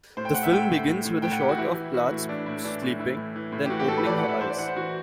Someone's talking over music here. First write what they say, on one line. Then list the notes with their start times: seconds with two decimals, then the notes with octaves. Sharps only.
The film begins with a shot of Plath sleeping, then opening her eyes.
0.17 A2 C5
0.25 G5
0.34 A2 F#5
0.43 E5
0.52 A2 G5
0.70 A2
0.87 A2
1.05 A2
1.22 A2 G5
1.32 F#5
1.40 A2 G4
1.49 F#4
1.58 E3 E4
1.76 E3
1.94 E3 F#4
2.11 A2 E4
2.29 E3 D4
2.46 A2 E4
2.64 E3 D4
2.82 A2
2.99 E3 E4
3.17 A2
3.36 E3
3.52 A2
3.65 G4
3.70 E3 F#4
3.79 G4
3.88 A2 A4
3.98 B4
4.05 E3 D5
4.18 F#5
4.24 E3
4.29 E5
4.41 E3 C5
4.50 D5
4.58 E3 F#5
4.68 C5
4.77 E3 F#4